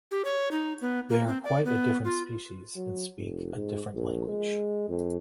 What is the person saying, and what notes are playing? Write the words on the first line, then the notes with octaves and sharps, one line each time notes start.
They are quite a different species, and speak a different language.
G4
C#5
D#4
B3
A#3
C4
D5
B3
F4
F#3
F1
G#2
A#1
G#3
F2